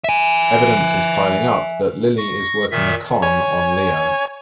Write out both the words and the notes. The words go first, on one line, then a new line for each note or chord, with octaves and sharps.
Evidence is piling up that Lily is working a con on Leo.
E5 G#5
C#6 A#6
A#2 D#3 E5
C#5 G#5